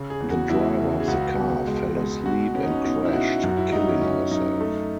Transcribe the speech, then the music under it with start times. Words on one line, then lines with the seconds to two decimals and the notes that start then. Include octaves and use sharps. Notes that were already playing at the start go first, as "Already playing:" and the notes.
The driver of the car fell asleep and crashed, killing herself.
Already playing: C#3
0.10 G#4
0.20 E2
0.30 F#4
0.49 E2 E4
0.79 C#3
1.00 G#4
1.08 C#2 F#4
1.37 B2
1.67 G#3
1.97 G#3
2.26 B2 F#4
2.54 B3 C#4
2.63 D#4
2.71 C#4
2.84 B2 D#4
3.05 E4
3.13 B2 F#4
3.43 F#2
3.49 F#4
3.57 E4
3.72 F#2 D#4
3.88 C#4
4.01 F#2 C#4
4.31 F#2 D#4
4.61 A3